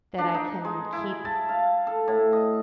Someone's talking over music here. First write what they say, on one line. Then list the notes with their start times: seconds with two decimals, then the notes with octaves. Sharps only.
that I can keep
0.18 D4
0.34 D#4
0.65 G#3
0.93 E4
1.25 A5
1.49 F5
1.87 A4
2.08 A2
2.33 D#5